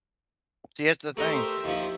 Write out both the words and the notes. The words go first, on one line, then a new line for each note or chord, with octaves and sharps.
here's the thing.
A3 G4 A#4 C5 D#5 E5
D#2 F3